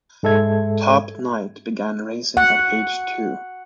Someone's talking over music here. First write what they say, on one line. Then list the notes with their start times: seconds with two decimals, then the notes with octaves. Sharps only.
Top Knight began racing at age two.
0.23 G#2 G#3 A4 E5 G#6
2.37 F#5